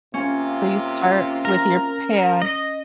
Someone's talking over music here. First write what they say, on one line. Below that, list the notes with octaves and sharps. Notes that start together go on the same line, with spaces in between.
So you start with your pan,
C3 A#3 C#4 F4
A#4
D#5